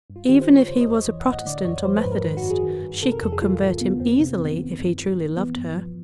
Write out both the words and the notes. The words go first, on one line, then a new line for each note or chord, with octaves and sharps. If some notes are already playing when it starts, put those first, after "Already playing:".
Even if he was a protestant or methodist she could convert him easily if he truly loved her.
G2
F4
D#3 G4
C5
G2
C#5
C#3 C5
D#5
E2
C#5
E3
F#5
A2
D#5
D3 D5
F2 C#5
F3 C5
B4
G#2
A#4
D#3 B4
F#4
F#2
G#4
D#3
G2
C3 A4
A#4
F2 A4
G#4
E3 F4
A2 F4
D3 B3
F2 C4
C3 C4
F2 B3
D#3
G2
F3
A#2
E3 B3
G2 B3
F3